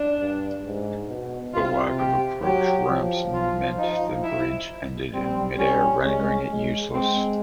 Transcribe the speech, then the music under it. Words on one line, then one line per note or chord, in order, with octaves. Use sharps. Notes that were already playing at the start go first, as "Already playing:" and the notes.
The lack of approach ramps meant the bridge ended in midair, rendering it useless.
Already playing: D4
G2
G#2
B2
C3 F4
G4
F#3 G4
F3
F4
D#4
E4
G3 C4
G3 C#4
G#3 C#4
G#3
G#3 C4